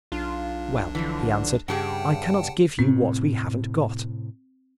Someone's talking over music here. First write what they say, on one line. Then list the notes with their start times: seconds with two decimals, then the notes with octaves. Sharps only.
"Well," he answered, "I cannot give you what we haven't got."
0.12 B1 D4 F4
0.95 D3 E3 F3
1.68 G2 C#3 G4 G#4 F#5 G5 A5
2.79 A2 C3 C4